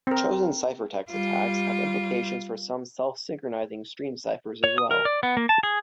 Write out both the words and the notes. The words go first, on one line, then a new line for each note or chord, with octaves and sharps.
Chosen-ciphertext attacks have implications for some self-synchronizing stream ciphers as well.
C4 A#4
G3 F4
C#5
D#6
A#4
D5
B3
A#3
A5
G#4